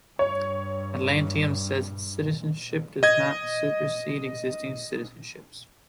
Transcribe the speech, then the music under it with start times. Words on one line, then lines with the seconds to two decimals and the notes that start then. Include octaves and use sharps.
Atlantium says its citizenship does not supersede existing citizenships.
0.19 G2 C#5
3.03 D#5 G#6